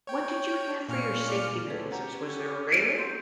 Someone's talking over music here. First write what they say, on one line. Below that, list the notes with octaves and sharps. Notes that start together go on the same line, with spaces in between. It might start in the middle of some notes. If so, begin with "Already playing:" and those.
What did you have for your safety mechanisms? Was there a railing?
C#5 G5
A#2 C#4 F6 C#7
D5
D2 A2 G#4 A4 B4
C#4 G4 F#5 A#5
F#3 C4 C6 G6